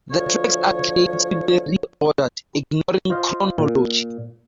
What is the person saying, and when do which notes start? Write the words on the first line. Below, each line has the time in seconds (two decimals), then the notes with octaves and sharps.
The tracks are creatively re-ordered, ignoring chronology.
0.12 D2 F3 C#5
3.10 F4 C5 D#5 F5
3.58 A#2